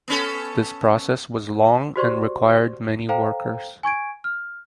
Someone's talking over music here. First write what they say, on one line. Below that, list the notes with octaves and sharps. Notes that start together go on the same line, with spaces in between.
This process was long and required many workers.
B3 C#4 A4
F#4 G4 C5 D5 C6 C#6
A4 C5 F5 G5 A#5
G#5 C#6 G#6 D7
F6